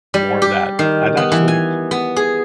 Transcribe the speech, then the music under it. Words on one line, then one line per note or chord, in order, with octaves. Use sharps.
more of that. I'm actually
G3
G4
D#3
B3
E3
G#5
B3
G#4